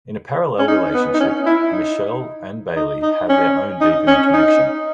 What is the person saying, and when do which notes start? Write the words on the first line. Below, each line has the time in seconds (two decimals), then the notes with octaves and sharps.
In a parallel relationship, Michell and Bailey have their own deepening connection.
0.59 C#4
0.68 D#4
0.94 B3
1.14 D#4
1.20 C#4
1.47 E4
1.73 D#4
2.76 D#4
3.02 D#4
3.29 C#4
3.81 D#4
4.07 C#4
4.34 D#4